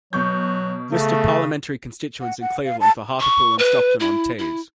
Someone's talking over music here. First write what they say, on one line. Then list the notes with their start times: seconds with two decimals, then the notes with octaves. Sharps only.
List of Parliamentary constituencies in Cleveland for Hartlepool and Stockton-on-Tees.
0.13 B2 F#3 C#6 G6
0.92 C#3 A3
2.21 F#5
2.41 F#5
2.65 F5
2.81 A5
3.20 C#6
3.59 B4
4.00 E4
4.38 E4